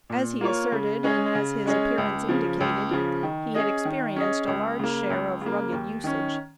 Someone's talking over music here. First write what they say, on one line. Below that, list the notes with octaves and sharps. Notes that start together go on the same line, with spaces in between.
As he asserted, and as his appearance indicated, he had experienced a large share of "rugged" usage.
A#2
A#3 F4 C#5
C#3
G#3 C#4 G#4 D#5
C#3
G#3 C#4 G#4 D#5
C#2
C#3 F3
C#2
C#3 F3
D#3
C#4 G#4 D#5
D#3
C#4 G#4 D#5
C#2
C#3 A#3
C#2
C#3 A#3
D#2
D#3 C#4